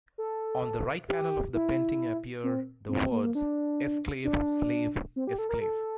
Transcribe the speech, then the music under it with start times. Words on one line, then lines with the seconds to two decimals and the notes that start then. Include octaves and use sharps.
On the right panel of the painting appear the words "Esclave, Slave, Esclave".
0.18 A4
1.09 G4
1.54 E4
2.44 C4
2.89 C4
3.01 C4
3.12 A#3
3.23 A#3
3.35 D4
4.24 D4
5.16 C4
5.27 G4
5.38 A4
5.49 A#4
5.61 A4